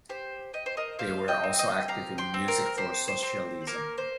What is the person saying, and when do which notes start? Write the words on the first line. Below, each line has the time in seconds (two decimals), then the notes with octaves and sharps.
They were also active in Music For Socialism.
0.09 G4 C5
0.53 G4 D#5
0.66 C5
0.77 A#4 D#5
0.99 G4 C5 F5
1.28 D#5 G5
1.44 C4
1.59 D#5 G5
1.88 G4 F5 A#5
2.18 G5 C6
2.34 C4
2.48 A#4
2.77 G4 C5
3.08 C5
3.23 C4
3.67 A#3 A#4
3.98 C5